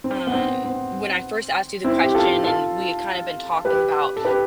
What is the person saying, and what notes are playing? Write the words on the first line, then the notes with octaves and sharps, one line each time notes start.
Um, when I first asked you the question and we had kinda been talking about
C4
B3
C4
C4
C4 E4
G4
F4 A4
F4 A4
G4 B4
A4
G4 B4